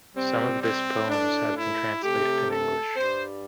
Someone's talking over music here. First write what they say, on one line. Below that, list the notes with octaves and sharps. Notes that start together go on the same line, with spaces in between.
Some of this poems has been translated in English.
C3 G3 C4
C4
A2 A3 D4
E4
C3 A3 G4
A4
G2 G3 C5